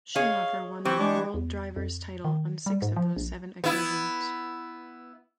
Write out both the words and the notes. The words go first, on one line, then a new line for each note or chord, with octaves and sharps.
Schumacher won the world drivers' title on six of those seven occasions.
G#4 C#5 D#5 F5
E3 C4 G4 C#6 D6
G#3 D4
E2
F2
D#3
G3
G#2
F3
A#1
B3 E4